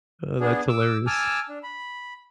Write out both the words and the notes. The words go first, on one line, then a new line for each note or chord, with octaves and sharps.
Oh, that's hilarious.
B3 D4 G#4
D6 E6
G#5 A5 D6 E6 F6
D4
B5